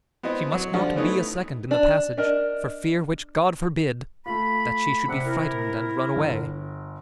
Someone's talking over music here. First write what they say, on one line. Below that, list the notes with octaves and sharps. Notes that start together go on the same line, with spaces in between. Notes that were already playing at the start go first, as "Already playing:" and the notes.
She must not be a second in the passage, for fear--which God forbid!--that she should be frightened and run away.
B3 C4 E4 D#5
F#3
D3 F3 G3
A3 B3 C#4 D#4 E4
D4
D4 A#4 D#5
A3 F4 B5
C3 G3 E5 F#5
E4 A#4
G1